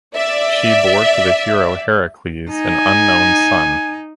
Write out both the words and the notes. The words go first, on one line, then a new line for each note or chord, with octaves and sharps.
She bore to the hero Heracles an unknown son.
D5 E5
D#4 G#5